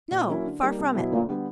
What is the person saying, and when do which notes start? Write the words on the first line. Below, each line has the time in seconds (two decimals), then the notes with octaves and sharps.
No; far from it.
0.11 A#2
0.28 F#3 A#3 C#4 E4
0.45 D3
0.62 G3 A#3 D#4
0.78 C2
0.95 B2 F#3 B3 E4
1.11 D2 A#2
1.29 D3 G3 B3